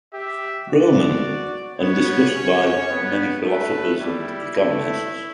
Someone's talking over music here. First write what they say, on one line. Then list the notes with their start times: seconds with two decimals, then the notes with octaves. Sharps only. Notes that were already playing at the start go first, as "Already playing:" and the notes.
Roman, and discussed by many philosophers and economists.
0.14 G4 E5
0.69 F#4 D5
1.79 B3 C#5
2.35 C#4
2.90 B3
3.45 A3 B4
4.01 G3 E4
4.56 A3 E4